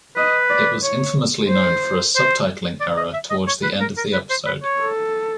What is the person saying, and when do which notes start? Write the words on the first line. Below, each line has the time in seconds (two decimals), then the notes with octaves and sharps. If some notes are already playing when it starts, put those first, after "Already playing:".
It was infamously known for a subtitling error towards the end of the episode.
0.16 B4 D#5
0.50 D5
0.82 C#5
1.49 C5
2.16 C5
2.81 D5
2.97 D#5
3.14 E5
3.30 D#5
3.47 C#5
3.63 B4
3.81 A#4
3.97 A#4
4.13 B4
4.30 C5
4.46 B4
4.63 C#5
4.79 A4